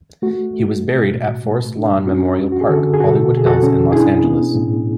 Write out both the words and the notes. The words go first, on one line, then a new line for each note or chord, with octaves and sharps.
He was buried at Forest Lawn Memorial Park, Hollywood Hills, in Los Angeles.
A3 F#4
A3
B2
A2
A3
D4
C#4 F#4
F#2
F#4
G#4
D3 F#4 A4
G#4
B2 F#4 A4
B2
G#4
F#4 A4
C#4
D4 E4 G#4
B3
A2